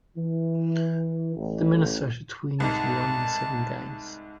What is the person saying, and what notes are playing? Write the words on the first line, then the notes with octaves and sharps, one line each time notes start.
The Minnesota Twins won in seven games.
E3
A1
C2 G#2 A5